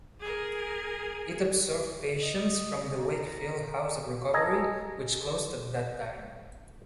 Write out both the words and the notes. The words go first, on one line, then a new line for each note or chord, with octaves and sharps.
It absorbed patients from the Wakefield House of Recovery which closed at that time.
G#4 A#4
D#5
A#5
A4 D#5 G#5 A#5